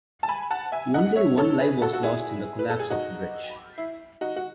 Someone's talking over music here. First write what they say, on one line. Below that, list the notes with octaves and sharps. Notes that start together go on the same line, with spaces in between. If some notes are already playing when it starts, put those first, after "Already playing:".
Only one life was lost in the collapse of the bridge.
A5
G#5 B5
F#5 A5
E5 G#5
D#5 F#5
C#5 E5
A4 C#5
G#4 B4
F#4 A4
F#4
E4 G#4
B4
A4
G#4
D#4 F#4
E4
D#4 F#4
F#4